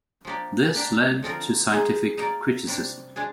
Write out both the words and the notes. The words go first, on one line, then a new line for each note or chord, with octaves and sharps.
This led to scientific criticism.
F3 A#3 D4 G4 D5
A#3 D4 G4 D5
D3 F3 C4 F4 A#4
G#3 D#4 G#4
A#3 D#4 A#4 D5
C3 G3 D4
G#3 D4 G#4